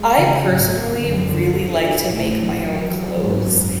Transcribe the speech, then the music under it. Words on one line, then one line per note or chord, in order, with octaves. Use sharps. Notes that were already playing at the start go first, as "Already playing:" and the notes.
I personally really like to make my own clothes,
Already playing: G#3
C#3
G#1 G#2 F#3
B3
F#2 D3
D3
A4
D4
A1 A2 E3
E3
F#3
F#3
G#1 G#2 F#3
F#2